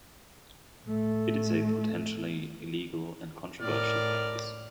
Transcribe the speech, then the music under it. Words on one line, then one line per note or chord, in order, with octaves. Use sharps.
It is a potentially illegal and controversial practice.
A2 A3
A2 A#4 D5 F6